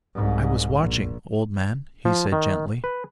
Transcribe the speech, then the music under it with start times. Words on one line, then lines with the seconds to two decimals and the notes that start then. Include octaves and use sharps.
"I was watching, old man," he said gently.
0.15 C2 G#2
0.80 A#1
2.05 F3
2.32 D#3
2.84 B4